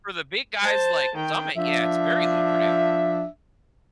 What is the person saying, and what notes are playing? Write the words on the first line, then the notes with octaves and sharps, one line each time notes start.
For the big guys, like Summit, yeah, it's very lucrative.
C5 A5
D#3 G5
F3 D4 E5